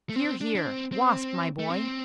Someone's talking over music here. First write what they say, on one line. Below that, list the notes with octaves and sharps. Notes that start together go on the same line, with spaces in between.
"Here, here, Wasp, my boy."
A3
C4
D4
D4
C4
C4
A3
C4